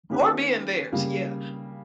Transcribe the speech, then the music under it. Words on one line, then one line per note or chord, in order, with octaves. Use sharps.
or be in theirs, yeah,
D#3 A#3 C#4 G4 B4
C#3 G3 A#3